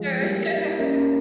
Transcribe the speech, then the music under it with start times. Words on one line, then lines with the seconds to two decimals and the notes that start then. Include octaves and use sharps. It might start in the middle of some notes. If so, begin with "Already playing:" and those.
Sure, sure.
Already playing: F3 G#3
0.20 G3 A#3
0.78 A#3 C#4